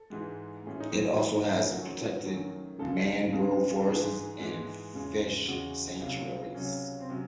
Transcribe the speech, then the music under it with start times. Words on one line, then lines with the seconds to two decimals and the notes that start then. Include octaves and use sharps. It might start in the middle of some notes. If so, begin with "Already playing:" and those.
It also has protected mangrove forests and fish sanctuaries.
Already playing: A4
0.10 G#2 E3 G#3
0.63 A2 E3 G#3 C#4
0.80 D#4
0.92 E4
1.05 F#4
1.17 A2 E3 G#3 G#4
1.45 G#4
1.72 F#2 D#3 F#3 A3 F#4
2.25 F#2 D#3 F#3 A3
2.79 C#2 C#3 G#3 A4
3.32 C#2 C#3 G#3
3.79 A4
3.86 G#2 E3 G#3 G#4
4.40 G#2 E3 G#3
4.94 E2 C#3 G#3
5.48 E2 C#3 G#3 F#4
6.01 C#2 C3 F#3
6.55 C#2 C3 F#3 C#4
7.00 C4
7.09 C3 F#3 C#4